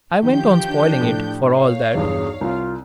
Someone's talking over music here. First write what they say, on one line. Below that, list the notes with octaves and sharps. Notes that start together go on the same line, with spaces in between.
I went on spoiling it, for all that.
D#3 F3 G4 G6
D4
A2
C#5 F5
B1 E2 G2 G#4
C2 F4